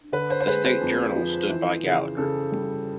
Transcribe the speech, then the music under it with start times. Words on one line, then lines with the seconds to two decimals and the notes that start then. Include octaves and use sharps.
The "State Journal" stood by Gallagher.
0.13 D3 B4
0.30 C5
0.41 C5
0.47 G#3 B4
0.65 C5
0.81 F2
1.16 F3
1.50 E3
1.83 C#3
2.17 C#3 A4
2.52 G3